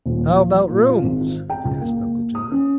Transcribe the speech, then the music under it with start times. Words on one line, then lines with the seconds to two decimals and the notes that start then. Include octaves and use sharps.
"How about rooms?" asked Uncle John.
0.06 D#1
0.28 F3
0.69 A#2
0.89 F4
1.02 G#1
1.50 G5
1.64 C#2
1.80 A#3
2.35 D#6
2.52 C#4